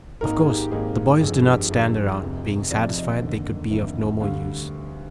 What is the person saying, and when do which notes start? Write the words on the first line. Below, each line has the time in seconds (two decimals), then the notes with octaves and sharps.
Of course the boys did not stand around, being satisfied they could be of no more use.
0.21 G#1 G#2 D#3 A#3 D#4 A#4
0.39 G#4
0.54 G4
0.71 G#1 G#2 D#3 A#3 D#4 G#4
1.21 G1 F2 D3 G#4
1.47 G4
1.71 G1 F2 D3 G#4
2.21 F1 F2 C3
2.70 F1 F2 C3 D5
2.96 D#5
3.21 F1 D#2 D3
3.71 F1 D#2 D3
4.20 D2 D3 G3 F5